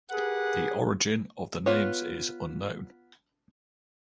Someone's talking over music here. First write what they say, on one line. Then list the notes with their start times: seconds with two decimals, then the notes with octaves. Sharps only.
The origin of the names is unknown.
0.11 G4 G#4 A#4 B4 F#5
1.66 B3 F4 C#5